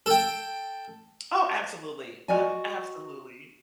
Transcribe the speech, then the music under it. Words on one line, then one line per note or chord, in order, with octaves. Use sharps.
Oh, absolutely, um, absolutely.
A4 G5
F#4 D5 D#5 G#5